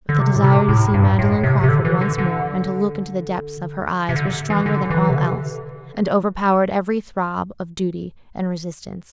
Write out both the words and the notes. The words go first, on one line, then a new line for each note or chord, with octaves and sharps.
But the desire to see Magdalen Crawford once more and to look into the depths of her eyes was stronger than all else, and overpowered every throb of duty and resistance.
D3
C3
A2
C3
A2
G2
A2
C3
C3
D3
E3
D3
D3
C3
D3
E3
D3
E3
C3
D3